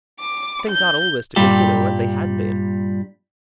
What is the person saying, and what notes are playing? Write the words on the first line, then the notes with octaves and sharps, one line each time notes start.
Things ought always to continue as they had been.
D6
G6
G2 A#2 G3 G4